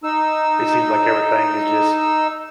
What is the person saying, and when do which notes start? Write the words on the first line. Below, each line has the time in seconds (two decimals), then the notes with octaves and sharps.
it seems like everything is just
0.04 D#4 E6